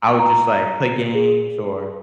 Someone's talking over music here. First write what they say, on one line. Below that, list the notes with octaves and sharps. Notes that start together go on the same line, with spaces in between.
I would just, like, play games or
A#5
G#4